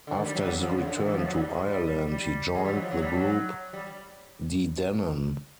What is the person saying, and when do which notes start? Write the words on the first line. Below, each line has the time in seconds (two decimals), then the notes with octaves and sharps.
After his return to Ireland, he joined the group De Dannan.
0.07 D3
0.17 D#3
0.26 G3
0.34 F#3
0.43 G3
0.52 F#3
0.61 F3
0.69 D3
0.78 C#3
0.87 D3
0.96 D#3
1.06 E3
1.14 F3
1.25 F#3
1.37 G3
1.49 G#3
1.67 G3
1.84 G3
2.07 G3
2.20 G3
2.55 G#3
2.64 G3
2.73 F#3
2.82 F3
2.91 F#3
3.02 G3
3.13 F#3
3.73 G3